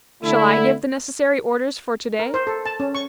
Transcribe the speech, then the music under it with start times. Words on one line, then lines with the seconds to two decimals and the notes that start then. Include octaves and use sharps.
Shall I give the necessary orders for to-day?
0.23 D3 A3 E4
2.19 A#4
2.34 C5
2.47 A4
2.66 A5
2.80 C#4
2.95 C#6